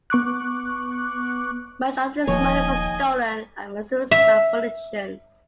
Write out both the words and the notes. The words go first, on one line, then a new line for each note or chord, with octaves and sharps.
Much of this money was stolen and misused by politicians.
B3 C#6 D6 F#6
D#1 D#2 F3 A#3 C#5 D#5 G#5
E5